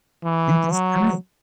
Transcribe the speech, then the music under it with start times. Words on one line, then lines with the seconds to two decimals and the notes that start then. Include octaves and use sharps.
be just kin
0.24 E3
0.71 F#3